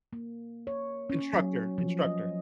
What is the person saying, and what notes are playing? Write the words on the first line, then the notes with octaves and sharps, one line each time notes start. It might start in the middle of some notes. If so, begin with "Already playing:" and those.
Instructor, instructor.
A#3
C#5
C#4
F#3
F3
D#5